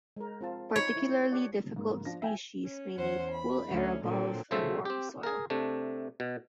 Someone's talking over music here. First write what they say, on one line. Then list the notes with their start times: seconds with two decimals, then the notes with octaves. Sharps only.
Particularly difficult species may need cool air above and warm soil.
0.17 G#3 A#4
0.41 C4 F4 A5
0.76 D#4 C#5 B5
0.96 E4
1.32 G4 D5 F#5
1.76 G#2 A#3
2.05 F3 D4 A#6
2.22 E5 G5 G#5
2.64 C#4
2.97 E2 C#4 C5 F#5
3.31 B5
3.70 D2 C#4
4.05 A#2 D3 F#3 C4
4.51 B1 C#3 F3 A3 C5 E5
4.85 C4 G4
5.23 G#4 A#4
5.50 C3 A3 D4
6.20 B2